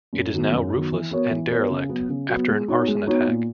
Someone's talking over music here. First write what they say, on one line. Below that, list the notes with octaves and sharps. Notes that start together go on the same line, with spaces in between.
It is now roofless and derelict after an arson attack.
F#2
D#3 F#3 B3 F#4
F#2
D#3 F#3 B3 F#4
E3
B3 F#4 A#4 C#5
E3
B3 F#4 A#4 C#5
C#3
F#3 B3
C#3
F#3 B3
G#3
B3 D#4 F#4 C#5
G#3
B3 D#4 F#4 C#5
A#2